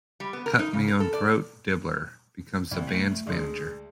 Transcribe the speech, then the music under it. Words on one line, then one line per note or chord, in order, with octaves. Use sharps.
Cut-Me-Own-Throat Dibbler becomes the Band's manager.
G3
B3
A#4
D#4
C#3
A#4
A4
D5
C2
A3
D2 G#3 G#4